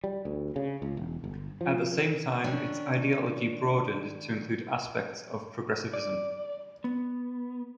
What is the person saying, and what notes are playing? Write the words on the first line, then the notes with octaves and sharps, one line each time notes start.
At the same time, its ideology broadened to include aspects of progressivism.
G3
D2
C#3
C#2
E1
G1
F3
D#3 C#4 D4
D5
B3